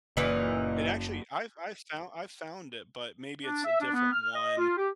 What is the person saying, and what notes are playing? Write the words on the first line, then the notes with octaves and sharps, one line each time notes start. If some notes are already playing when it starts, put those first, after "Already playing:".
It actually I've I've found I've found it, but maybe it's a different one.
F#1 A#2 C#3 E3 A#3 D#4
D4
E5
D4
B3
F6
D#5
F4
G4